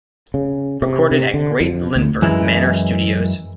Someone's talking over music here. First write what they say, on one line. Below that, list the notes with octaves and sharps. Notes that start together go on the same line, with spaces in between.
Recorded at Great Linford Manor Studios.
C#3
C3
C3
D3
F2
D2
F#2 E3 G#3 E4